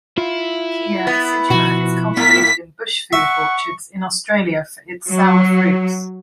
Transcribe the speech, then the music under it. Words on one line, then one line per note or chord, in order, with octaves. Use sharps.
Acronychia acidula is cultivated in bush food orchards in Australia for its sour fruits.
E4 F4 F5
B3
B2 F3 F#4
A2 A#3 B3 A#5 B6
E5 F#5 C#6
F#3